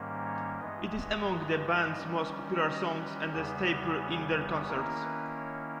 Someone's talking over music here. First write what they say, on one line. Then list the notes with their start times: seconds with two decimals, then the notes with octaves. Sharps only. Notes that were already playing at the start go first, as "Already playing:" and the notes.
It is among the band's most popular songs and a staple in their concerts.
Already playing: G#2 D#3 G3 A#3 C#4
0.26 C#5
0.59 G2 E3 G#3 B3 D#5
1.96 D#3 G3 C#4
2.65 D#5
2.98 B4
3.32 E2 C#3 G3 B3 G#4
4.68 D#3 A#3 C#4 E4 A#4
5.02 B4
5.37 C#5